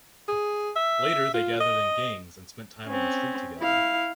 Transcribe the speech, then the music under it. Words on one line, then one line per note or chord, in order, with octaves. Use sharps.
Later they gathered in gangs and spent time on the street together.
G#4
E5
F4
D#5
C4 C#4
E4 F5